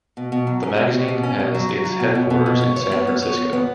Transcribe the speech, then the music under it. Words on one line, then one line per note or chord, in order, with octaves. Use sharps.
The magazine has its headquarters in San Francisco.
B2
B2
F#3
C#4
B2
B2
B2
C#4
B2
F#3
F#3
F#3
B2
B2
B2
B2
C#5
C#5
B3
B3
C#5
B3
B3